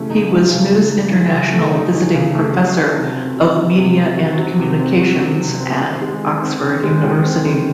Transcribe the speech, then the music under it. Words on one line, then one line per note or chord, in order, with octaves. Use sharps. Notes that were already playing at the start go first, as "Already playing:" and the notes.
He was News International Visiting Professor of Media and Communications at Oxford University.
Already playing: C#3 E3 A3
D#4
E3
C#3
A3
D#4
E3
C#3
A3
D#4
E3
C#3
A3
F#4
F#3
C3
C4
F#4
F#3
C3
C4
F#4
F#3
C3
C4
F#4
F#3
C3
C4
D#3
G#3
D#3
C4
D#3
G#3
D#3
C4
D#3